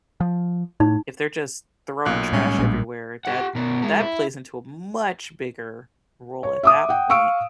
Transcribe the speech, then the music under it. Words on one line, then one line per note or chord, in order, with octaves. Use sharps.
if they're just throwing trash everywhere, that that plays into a much bigger role at that point.
F3
A2 D#4
B1 A#2 F#6
A2 G3 G#3 C#4
A#1
G4 F#5
B2 A#4
G#3 A#4
E4
C#5
E5 D6 D#6
F#5 G5
F5 C#6 E6 D7